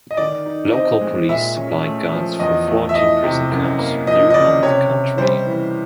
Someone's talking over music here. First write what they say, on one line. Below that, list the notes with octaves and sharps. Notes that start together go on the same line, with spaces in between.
Local police supplied guards for fourteen prison camps throughout the country.
D#5
D#3 D5
D#4
C4 D#5
G#3
A#2 E5
C#4
A3
F3
E2 D#5
A3
E5
E3 D#5
C3
F#2
A#3
F3 D#5
D#5
C#3 D5
C3 C#5
C3
G3 C5
E3